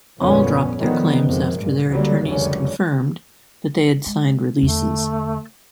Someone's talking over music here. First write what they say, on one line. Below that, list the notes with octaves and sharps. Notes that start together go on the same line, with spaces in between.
All dropped their claims after their attorneys confirmed that they had signed releases.
G1 F2 A#2 D3 B3 C#4
D3 D#3 F3 B3
F2 C3 D#3 G#3
G2 A#2
C#2 D3 F#3 G3 A#3
F1 C#2 F#2 D3 G3 C#4
G#3
E2 D3 A3